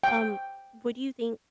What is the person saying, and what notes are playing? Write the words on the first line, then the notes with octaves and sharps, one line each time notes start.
Um, what do you think,
G5